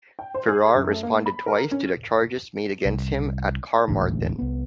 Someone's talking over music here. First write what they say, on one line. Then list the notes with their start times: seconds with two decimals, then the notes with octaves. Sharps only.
Ferrar responded twice to the charges made against him at Carmarthen.
0.19 G5
0.34 C5
0.48 G#4
0.75 F#2
0.91 A3
1.03 A#3
1.26 B5
1.46 A#4
1.71 C#4
2.85 C2
3.88 D#1 A1 D2 G#2
4.39 C2 B3